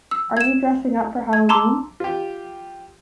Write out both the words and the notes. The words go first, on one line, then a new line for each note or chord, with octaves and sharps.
Are you dressing up for Halloween?
E6
G#6 E7
G#6
A5 A#5 C6 D6 E6
F4 G4